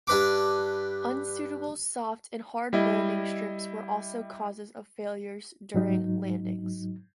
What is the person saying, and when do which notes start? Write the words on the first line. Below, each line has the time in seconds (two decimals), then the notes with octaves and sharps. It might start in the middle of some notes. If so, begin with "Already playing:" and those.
Unsuitable soft and hard landing strips were also causes of failures during landings.
0.07 G2 D4 B4 B5 D6
2.73 G3 E4 D#5
5.74 G#2 F#3 D#4